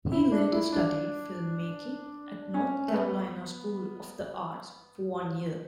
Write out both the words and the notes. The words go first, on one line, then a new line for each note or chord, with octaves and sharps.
He later studied filmmaking at North Carolina School of the Arts for one year.
E4
D4
E4
D4
C#4
A3
B3